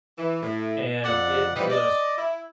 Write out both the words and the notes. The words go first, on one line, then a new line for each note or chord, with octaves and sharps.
and it just
E3
A2
F2 D5 F#5
E3 F3 G3 D#4 G4 B4
D5 D#5
E4